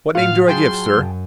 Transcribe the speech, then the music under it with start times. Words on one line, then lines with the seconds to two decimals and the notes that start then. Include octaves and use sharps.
"What name do I give, sir?"
0.15 A2 F4 F5 F#5 F6
0.48 F#3 G#4 G5 A5 C6
0.94 F#2